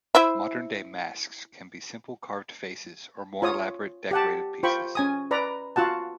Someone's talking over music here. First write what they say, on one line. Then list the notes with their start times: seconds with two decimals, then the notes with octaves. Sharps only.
Modern day masks can be simple carved faces or more elaborate decorated pieces.
0.15 E4 C5 E5
3.42 F4 C#5 D#6
4.11 G4 F#5 A5
4.63 F4 C5 G5 B5 C#6
4.95 C#4 G#5 D#6
5.31 B4 D5 A#5 B5
5.76 F4 F#4 F#5 A5